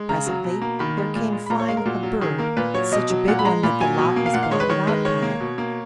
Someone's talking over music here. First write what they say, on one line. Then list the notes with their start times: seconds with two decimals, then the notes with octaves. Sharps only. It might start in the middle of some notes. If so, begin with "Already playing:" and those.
Presently there came flying a bird--such a big one that the light was blotted out by it.
Already playing: G#3
0.09 C#3 A#5
0.27 F#3
0.44 B2
0.61 A#3
0.79 D#3 B5
0.97 G#3
1.15 A#2
1.32 G#3
1.46 B5
1.50 A#2 A#5
1.60 C#5
1.68 G#3 F5
1.77 A#4
1.85 A#2 F#4
2.03 F#3
2.21 D#3 G#4
2.38 A#3 A#4
2.57 A#2 B4
2.74 F#3 C#5
2.92 B2 D#5
3.10 F#3
3.28 A#2 F#5
3.39 B5
3.45 G#3 A#5
3.63 A#2 B5
3.80 F#3 G#5
3.98 B2
4.16 A#3
4.26 F5
4.34 A#2 F#5
4.43 F5
4.51 G#3 C#5
4.60 B4
4.69 D#3 C#5
4.87 G#3 B4
5.05 D#3 C#5
5.22 A#3
5.40 B2
5.58 A#3